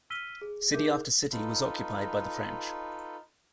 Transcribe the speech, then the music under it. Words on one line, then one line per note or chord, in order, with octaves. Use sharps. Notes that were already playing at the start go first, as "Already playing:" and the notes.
City after city was occupied by the French.
E6 F6 B6 D#7 G7
G#4
D#4 G#4 A#4 E5 D6 G6
D#4 F4 A4 B4